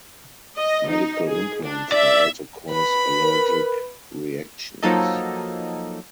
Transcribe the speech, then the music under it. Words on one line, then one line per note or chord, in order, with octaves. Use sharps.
Medical implants may also cause allergic reactions.
D#5
D#4
G#4
D4
D5 E5
B4 B5
A#4
F3 F#3 A#3 D#4 A4 D#5